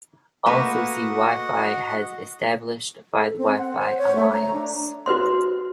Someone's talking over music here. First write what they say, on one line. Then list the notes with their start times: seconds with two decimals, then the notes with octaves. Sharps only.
Also see Wi-Fi as established by the Wi-Fi Alliance.
0.46 A3 A#3 F#4 B4 D#5 F#5
3.20 A4
3.38 C4
3.58 F#5
3.79 C5
3.98 C#5
4.15 A3
4.32 A#5
4.53 D4
5.06 F#4 B4 C5 C6